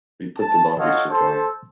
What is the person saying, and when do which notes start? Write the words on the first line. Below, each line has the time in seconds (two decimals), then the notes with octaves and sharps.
We put the laundry to dry.
0.39 A5
0.79 F4 F#4 A4 C#5 D#5 F5
1.11 A4 C5